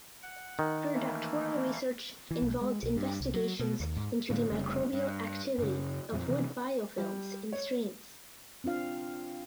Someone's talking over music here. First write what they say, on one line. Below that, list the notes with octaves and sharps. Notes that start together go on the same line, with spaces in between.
Her doctoral research involved investigations into the microbial activity of wood biofilms in streams.
F#5
D#3
E3 A3 A#3
E3
B1
G#3
B1
G2
C2
F#3
B2
D#2
G#2
A2 D3 A#3
F1 C#3 G3 A3
G2
F#2 C#3
F2 A#2 F3
C3 E3 F3 C#4
G3
C#5
C4 D4 F4 F5